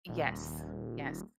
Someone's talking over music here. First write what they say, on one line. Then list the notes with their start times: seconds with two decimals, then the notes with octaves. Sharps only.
Yes, yes.
0.09 D#1